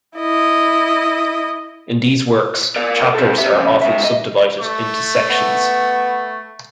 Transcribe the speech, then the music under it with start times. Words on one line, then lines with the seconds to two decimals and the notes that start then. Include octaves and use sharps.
In these works, chapters are often subdivided into sections.
0.17 E4 D#5
2.76 A#4 D5
3.15 C4 A4
3.37 G4 E5
3.52 F2 C#3
3.81 G#2 E5
4.04 D#5
4.60 A3 C#6
5.30 B3